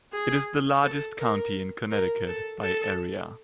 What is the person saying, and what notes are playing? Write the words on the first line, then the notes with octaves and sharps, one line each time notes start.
It is the largest county in Connecticut by area.
G#4
A4
A#4
A#4
A4
A4